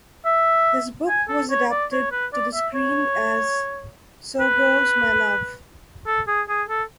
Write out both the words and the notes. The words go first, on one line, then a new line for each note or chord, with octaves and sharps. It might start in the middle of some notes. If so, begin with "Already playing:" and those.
This book was adapted to the screen as "So Goes My Love".
E5
G#5
A4
C#5
D5
C#5
B4
D5
E5
C#5
B4
A4
G#4
G#4
A4